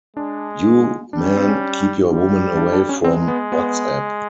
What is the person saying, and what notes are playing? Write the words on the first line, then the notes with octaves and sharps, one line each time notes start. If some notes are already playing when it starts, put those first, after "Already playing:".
You, men, keep your women away from WhatsApp.
G#3 D4
G3 D4
C#4
C4
C#4
G3
D4
D4
C#4
G#3 C4
B3
B3